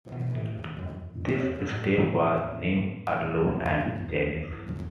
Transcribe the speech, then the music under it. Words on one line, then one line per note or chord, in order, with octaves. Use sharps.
The strip was named Arlo and Janis.
B2
A2
E2
F#2
E2
F#2
E2
F#2
F#2
A2
E2
F#2
E2
F#2
E2